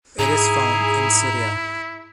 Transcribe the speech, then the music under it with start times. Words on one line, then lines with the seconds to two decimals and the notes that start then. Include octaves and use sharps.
It is found in Syria.
0.19 G#2 E4 G#4 A#5